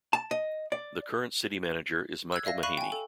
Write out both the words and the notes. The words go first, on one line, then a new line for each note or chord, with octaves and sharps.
The current City Manager is Michael Mahaney.
A5
D#5
D5
E6 F#6 G#6
D5 E5 F5 A#6
F5 B5 C#6 F#6 D#7
G5 G#5
A4